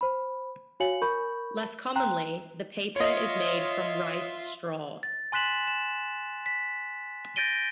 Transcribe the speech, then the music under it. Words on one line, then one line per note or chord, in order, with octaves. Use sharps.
Less commonly, the paper is made from rice straw.
C5 B5
F#4 C#5 F5 G#5 C#7 F#7
A#4 B5 C#6 G6
G5 A#5 C6 F#6
F4 C#5 D#5 E5
A6
G#5 C6 F#6 B6 E7 F#7
E7
B6
G6 A6 A#6 D7 D#7 G7